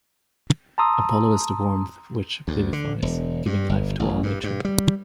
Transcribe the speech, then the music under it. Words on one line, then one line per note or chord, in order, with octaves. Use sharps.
Apollo is the warmth which vivifies, giving life to all Nature.
A5 A#5 C6 D#6 E6
D2
D3
E1
G2
G1
A1
G2
G2
G3